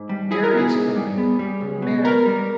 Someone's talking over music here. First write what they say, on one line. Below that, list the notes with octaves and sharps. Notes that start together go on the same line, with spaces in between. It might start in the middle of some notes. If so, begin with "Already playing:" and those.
Mary is coming! Mary!
Already playing: G#2
G3
E4 G#4
A#4
B3 G#4
G#2
G3
B3
G3
C#2
B2
B3 A#4
G3